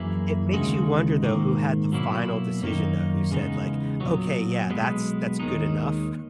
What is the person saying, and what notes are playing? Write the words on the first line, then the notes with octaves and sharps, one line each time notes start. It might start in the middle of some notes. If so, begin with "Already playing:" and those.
it makes you wonder, though, who had the final decision, though, who said, like, "Okay, yeah, that's that's good enough."
Already playing: F#2 E3 A#3 E4 G#4
D#2 C#3 G#3 D#4 F#4
G#2 D#3 A#3
B2 F#3 A#3 E4
F#2 D#3 A#3 D#4
E2 C#3 G#3 B3 D#4
A#2 F#3 B3
B1 B2 G#3 B3
D#2 D#3 G#3 D#4